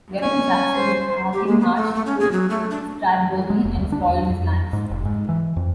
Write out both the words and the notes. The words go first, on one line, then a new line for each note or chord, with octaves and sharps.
During his absence Argyll marched to Strathbogie and spoiled his lands.
C#4 G#5
C5
G4
G#3
B3
A3
A3
C#4
G#4
F#3
A3
D4
G#3
F1
D2
D4
E2
F2
G#2
F1
G#2
E3
F2